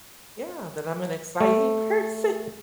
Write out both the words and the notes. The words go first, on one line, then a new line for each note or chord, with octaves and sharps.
Yeah. That I'm an exciting person.
A3